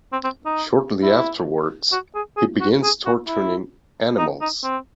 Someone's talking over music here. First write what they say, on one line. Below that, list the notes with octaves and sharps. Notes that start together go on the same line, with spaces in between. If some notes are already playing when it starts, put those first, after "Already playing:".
Shortly afterwards, he begins torturing animals.
C4
C4
D#4
E4
F#4
G#4
G#4
F#4
G#4
F#4
E4
D#4
D#4
C4